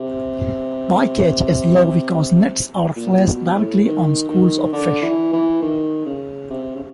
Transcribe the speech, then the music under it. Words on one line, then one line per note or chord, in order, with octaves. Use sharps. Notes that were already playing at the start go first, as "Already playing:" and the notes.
Bycatch is low because nets are placed directly on schools of fish.
Already playing: C3
A#2
A#2
B2
A2
D#3
D#3
D3
E3
E3
D#3
C#3
C3
C#3